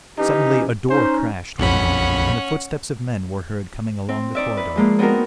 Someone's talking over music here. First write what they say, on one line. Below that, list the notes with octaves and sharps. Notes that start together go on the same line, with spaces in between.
Suddenly a door crashed without, and the footsteps of men were heard coming along the corridor.
E3 C#4 D#4 G4
C#4 D#4 C5
A#1 F2 C#4 F#5 B5
C4
D#4 D5 E5
B4
F3 G#3 A#3
B3 C4 D#4 F#4 A#4